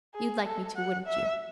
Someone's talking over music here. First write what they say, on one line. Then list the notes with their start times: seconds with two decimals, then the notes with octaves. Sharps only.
You'd like me to, wouldn't you?'
0.14 G#4
0.44 A4
0.76 F#5
1.06 E5